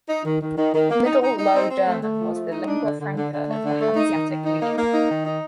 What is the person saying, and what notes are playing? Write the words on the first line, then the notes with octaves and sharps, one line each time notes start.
Middle Low German was the lingua franca of the Hanseatic League.
D#4
D#3
D#3
D#3
D#3
A#3
D#4
D#4
D#4
C4
C4
A3
A3
F3
A3
D#4
D4
D3
D3
D3
D3
A3
D3
A3
D#4
D#3
D#3
D#4
A#3
A#3
D#4
D#3
D#4